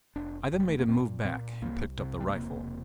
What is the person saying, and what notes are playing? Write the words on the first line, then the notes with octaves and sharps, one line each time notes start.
I then made him move back, and picked up the rifle.
F1 D4
F1
G3
A3
A#3
A#2 C4
A#2 C4
C2 A#3
C3
G3
A3
E1 A#3